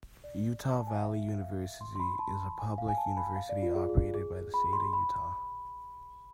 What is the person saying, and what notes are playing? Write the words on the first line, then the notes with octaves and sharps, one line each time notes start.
Utah Valley University is a public university operated by the state of Utah.
D5
A5
G#5
F5
E5
F5
C6
C6
B5
A5
G#5
F5
G#5
A5
B5
F5
D5
F4
G#4
G#4
G#4
B5
C6
B5